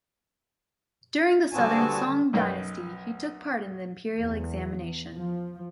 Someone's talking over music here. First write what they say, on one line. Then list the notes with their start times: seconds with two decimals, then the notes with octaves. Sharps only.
During the southern Song Dynasty, he took part in the Imperial Examination.
1.53 D3 G3 B3 C4 F#4 G#5 A5
2.33 B1 F#2 D#4 B4 G5
4.18 E2
5.15 F3